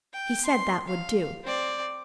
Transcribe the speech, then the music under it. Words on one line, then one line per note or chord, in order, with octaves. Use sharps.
He said that would do.
G5
C6
F5
C4 D5